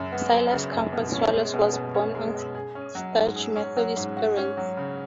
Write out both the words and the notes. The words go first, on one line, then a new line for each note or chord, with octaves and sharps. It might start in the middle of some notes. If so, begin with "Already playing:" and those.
Silas Comfort Swallow was born of staunch Methodist parents.
Already playing: F#2 C#3 F#3
B3
F#3
C#3
F#2
B2
C#4
G#3
B2
B2
C#4
G#3
B2
G#4
C#4
F#3
G#2
G#4
C#4
F#3
G#2
F#4
C#4
F#3
C#3